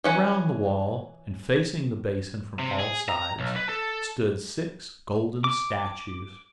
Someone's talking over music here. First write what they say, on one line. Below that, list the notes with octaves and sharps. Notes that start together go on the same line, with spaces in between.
Around the wall, and facing the basin from all sides, stood six golden statues.
E3 C#4 F#5
C3
G#4
A#5
B1
B4
A4
D6